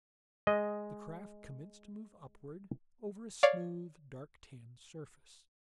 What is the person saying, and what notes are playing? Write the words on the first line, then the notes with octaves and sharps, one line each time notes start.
The craft commenced to move upward, over a smooth, dark tan surface.
G#3 D#5
C#5 D5 F5